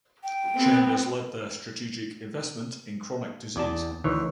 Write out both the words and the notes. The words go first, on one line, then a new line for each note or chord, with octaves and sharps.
Chambers led their "Strategic Investment in Chronic Disease".
G5
B3 C4
E2 D5 A5
D2 D#3 E3 C#5